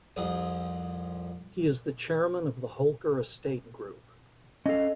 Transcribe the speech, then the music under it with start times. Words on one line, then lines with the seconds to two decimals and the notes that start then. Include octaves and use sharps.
He is the Chairman of the Holker Estate Group.
0.16 C2 F2 C4 D#6
4.66 C#4 A4 D#5 F5